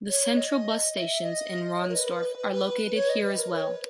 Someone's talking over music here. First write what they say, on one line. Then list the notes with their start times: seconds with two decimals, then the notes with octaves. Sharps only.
The central bus stations in Ronsdorf are located here as well.
0.09 C#5
0.23 C#5
0.36 D#5
0.95 E5
1.08 E5
1.23 D#5
1.80 C#5
1.89 A#4
1.95 B4
2.37 B4
2.52 B4
2.95 C#5
3.09 D#5
3.24 B4
3.38 A#4
3.52 C#5
3.67 B4